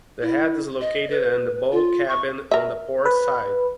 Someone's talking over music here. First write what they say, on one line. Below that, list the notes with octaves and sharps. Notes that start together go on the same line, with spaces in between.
The head is located in the bow cabin on the port side.
E4
D#5
B4
F4
C#6
A#4 E5
B4